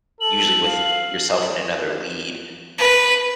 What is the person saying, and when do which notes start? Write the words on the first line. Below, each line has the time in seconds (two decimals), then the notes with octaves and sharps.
usually with yourself and another lead.
0.21 A4 F#7
0.64 F5
2.78 B4